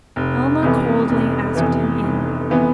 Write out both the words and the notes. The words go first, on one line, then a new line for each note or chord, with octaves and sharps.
Alma coldly asked him in.
F1
F2 C3 E3 B3
F1
F2 C3 E3 B3
F1
C3 E3 B3